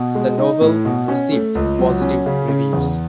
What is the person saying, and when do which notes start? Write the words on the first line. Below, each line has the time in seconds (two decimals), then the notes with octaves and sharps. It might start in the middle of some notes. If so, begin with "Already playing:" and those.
The novel received positive reviews.
Already playing: B2
0.15 G#3
0.38 D#4
0.61 A2
0.85 B2
1.08 C#4
1.31 A3
1.55 C#2
1.79 F#3
2.01 C#4
2.26 C#3
2.48 C#3
2.73 E2